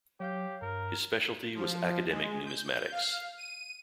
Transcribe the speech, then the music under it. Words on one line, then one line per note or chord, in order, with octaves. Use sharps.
His speciality was academic numismatics.
F#3 G4 C#5 F5 G6
G2 A#4
F3
G#3
G6
F5
D#7